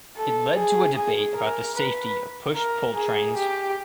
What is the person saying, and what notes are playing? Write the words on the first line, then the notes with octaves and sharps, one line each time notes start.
It led to a debate about the safety of push-pull trains.
A4
G#4
G#4
A#4
B4
A#4
G#4
G4